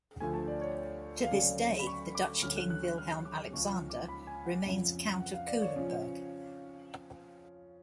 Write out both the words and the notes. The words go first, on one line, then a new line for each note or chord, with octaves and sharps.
To this day, the Dutch king Willem-Alexander remains count of Culemborg.
D2 D3 F3 A3 G#5
A5
D5
C#5
F5
D2 C#3 F#3 D5
B5
C#6
D6
D2 D3 F#3 C#4 F6
F#6
F#6
F#6
F6
D6
C#2 C#3 F3 C#6
F6
D6
B5
G#5
F#5
F2 C#3 F3
F#5
F5
D5
C#5
C#3 F3